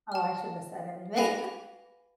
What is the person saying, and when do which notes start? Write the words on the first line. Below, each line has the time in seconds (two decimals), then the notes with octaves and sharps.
Oh, I shouldn't have said anything.
0.12 A5 F6
1.16 B4 F5 G#5 B5 A#6 F7